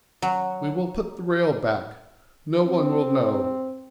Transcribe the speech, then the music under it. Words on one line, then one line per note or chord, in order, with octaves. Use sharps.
We will put the rail back; no one will know.
F#3
C4